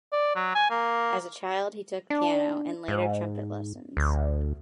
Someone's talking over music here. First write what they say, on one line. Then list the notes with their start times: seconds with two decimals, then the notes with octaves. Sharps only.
As a child he took piano and later trumpet lessons.
0.12 D5
0.35 F#3
0.55 G#5
0.70 A#3
2.10 D4
2.88 G#2
3.97 D2